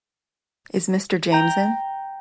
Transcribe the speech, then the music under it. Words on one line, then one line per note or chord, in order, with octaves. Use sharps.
Is Mr. James in?
G5 A#5